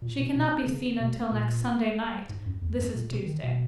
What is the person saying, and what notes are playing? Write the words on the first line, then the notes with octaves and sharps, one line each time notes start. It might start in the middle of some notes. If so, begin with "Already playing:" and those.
She cannot be seen until next Sunday night; this is Tuesday.
A#2
B2
B2
C#3
B2
A#2
G#2
F#2
E2
F#2
A#2
B2
D#3
B2